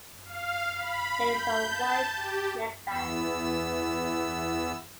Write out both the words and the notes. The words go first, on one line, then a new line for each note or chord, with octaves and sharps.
There is a white neckband.
F5
B5
G6
A5
G4
E2 E3 B3 E6